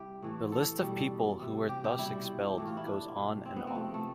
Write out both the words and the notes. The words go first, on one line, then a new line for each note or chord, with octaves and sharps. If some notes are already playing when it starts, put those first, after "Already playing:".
The list of people who were thus expelled goes on and on.
Already playing: C3 G3 E4 G4
A2 E3 A3
A4
B2 G3
C3 G3
G4
G4
B2 G3 E4
A2 E3 A3 G4
F4
E4
D4
B2 G3
C4
B3
C4
C3 F3 A3
A3